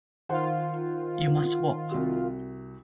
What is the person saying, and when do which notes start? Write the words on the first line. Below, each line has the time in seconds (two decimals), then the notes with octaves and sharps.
You must walk.
0.29 D#3 F4 C5 F#5 C6
1.91 C2 F#4